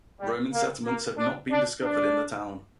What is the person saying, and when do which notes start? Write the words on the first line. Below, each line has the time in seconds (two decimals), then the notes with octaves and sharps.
Roman settlements have not been discovered in the town.
0.20 G3
0.53 A#3
0.85 A#3
1.17 D4
1.50 D4
1.83 D4